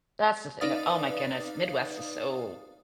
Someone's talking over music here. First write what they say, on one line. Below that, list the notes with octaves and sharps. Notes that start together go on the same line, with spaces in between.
That's the thing oh my goodness, Midwest is so
D#4 B4 D5 F5 D#6 A6